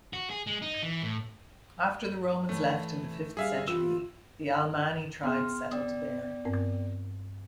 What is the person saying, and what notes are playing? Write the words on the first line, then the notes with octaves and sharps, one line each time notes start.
After the Romans left in the fifth century, the Alamanni tribe settled there.
F#4
G#4
G#3
D#4
E3
A2
E3 A3 C#4
C#3 G3 G#4 E5 F5
E3 F4 G4 B4 E6
B3 G#4 G5 C6 F6
B3 D5 G5 D#6
G2 C4 A#4